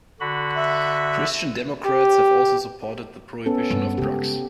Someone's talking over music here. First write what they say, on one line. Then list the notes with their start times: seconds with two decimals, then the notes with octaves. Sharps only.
Christian Democrats have also supported the prohibition of drugs.
0.20 D3 F#4 B5
0.57 E5
1.86 G4
3.46 B3 C#4 A4
3.71 G2
3.98 C#3 G#3 G4